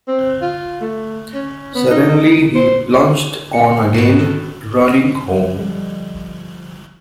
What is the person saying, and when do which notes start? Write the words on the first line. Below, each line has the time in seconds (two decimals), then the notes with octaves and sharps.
Suddenly he plunged on again, running home.
0.08 C4
0.42 F4
0.81 A3
1.34 C#4
1.75 B3
1.90 D#4
2.55 C5
3.53 C#7
3.94 G#2 B3 F#4 E7
4.19 D#3 A4
5.56 F3 G3 A4 D#5